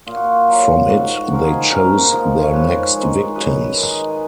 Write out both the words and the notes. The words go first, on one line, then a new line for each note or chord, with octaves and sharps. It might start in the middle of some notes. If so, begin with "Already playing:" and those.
From it they chose their next victims.
A#2 F4
F#4
F4
F#3
G#2 F#4
F#4
F3 G#3 A#4
G#4
A#2 A#4
B4
A#4
F3 G#3
C#5
G#2 B4
D#3 G#3
F#2 B4
B4
D#3 G#3
D#5
G#5